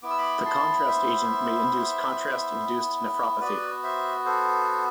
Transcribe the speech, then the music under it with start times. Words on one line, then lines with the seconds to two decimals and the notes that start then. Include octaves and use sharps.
The contrast agent may induce contrast-induced nephropathy.
0.02 B3 E4 D6
0.10 E6
0.18 B5 D6
0.45 A5 C6
0.87 C5 E5
3.40 B3 F#4 B4 D5
3.83 C5 E5
4.25 A4 C5